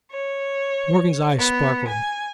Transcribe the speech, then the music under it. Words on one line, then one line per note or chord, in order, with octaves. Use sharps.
Morgan's eyes sparkled.
C#5
B3
G#5